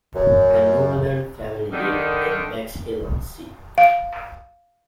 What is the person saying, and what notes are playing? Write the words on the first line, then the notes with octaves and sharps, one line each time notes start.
The Nolan family lived in Bexhill-on-Sea.
F#2
D3 D#3
F5